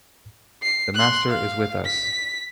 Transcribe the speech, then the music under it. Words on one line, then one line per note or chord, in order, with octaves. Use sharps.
The Master is with us.
C7
C6 F#6
F5
B6